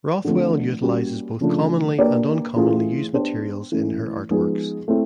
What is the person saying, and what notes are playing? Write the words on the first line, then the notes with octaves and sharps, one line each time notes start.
Rothwell utilises both commonly and uncommonly used materials in her artworks.
D3 F3 A3 C4
G3 A#3 C#4 F#4
C#3 F3 A3 D4
A#3 D4 G4 B4 D5
E3 A3 C#4 F4 G#4
B3 D4 G4 C5
E3 A3 C#4
F3 G#3 B3 D#4 G#4
A3 C4 E4